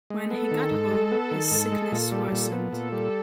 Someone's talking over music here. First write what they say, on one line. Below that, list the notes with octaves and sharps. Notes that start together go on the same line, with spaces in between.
When he got home his sickness worsened.
G#3
B3 A4
D#3
G#2
G#3
B3
D#3
G#2
G#3
A#2
G3
A#2
B3
A#2 A4
G3